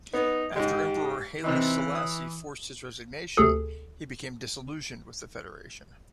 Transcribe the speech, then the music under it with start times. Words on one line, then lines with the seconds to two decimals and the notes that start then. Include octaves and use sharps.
After Emperor Haile Selassie forced his resignation he became disillusioned with the Federation.
0.13 B3 D#4
0.56 G#2 G#3 G4
1.44 C3 E3 C4 D#4
1.95 D#6
3.37 D2 C3 G#4 A4